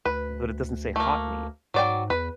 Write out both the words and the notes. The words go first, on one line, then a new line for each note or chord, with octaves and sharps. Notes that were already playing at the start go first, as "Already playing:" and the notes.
But it doesn't say, "hot meat."
D2 B4
A3 A#3
G#2 F#3 D5 G5
E2 B4